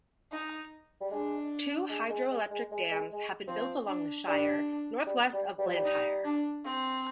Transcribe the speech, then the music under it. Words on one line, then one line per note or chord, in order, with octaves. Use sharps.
Two hydroelectric dams have been built along the Shire northwest of Blantyre.
D#4
G3
G#3 D4
G#3
G#3
G#3
G#3
G#3
G#3
G#3
F3 C4
D4
G3 D4
G3
G3
G3
F3
G3
D#4
D4
C4